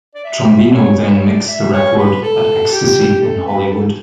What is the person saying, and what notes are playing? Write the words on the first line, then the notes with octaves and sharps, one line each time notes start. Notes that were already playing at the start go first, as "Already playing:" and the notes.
Trombino then mixed the record at Extasy in Hollywood.
D5
E5
C#5
C#5
B4
C#5
D5
E5
C#5
B4
A4
G4
A4
B4
B4
A4